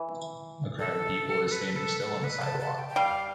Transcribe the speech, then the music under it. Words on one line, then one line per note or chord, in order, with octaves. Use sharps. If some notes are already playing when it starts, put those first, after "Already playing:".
A crowd of people is standing still on the sidewalk.
Already playing: E3
A4
B4
A4
A4
B4
A5
A5
G5
G5
G3 F5